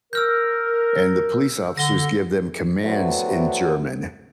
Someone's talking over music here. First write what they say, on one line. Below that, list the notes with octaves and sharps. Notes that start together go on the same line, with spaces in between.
-and the police officers give them commands in German,
A#4 E6 F6 G6
D3 A#6 G7
F#3 A3 B3 C4 D4 E4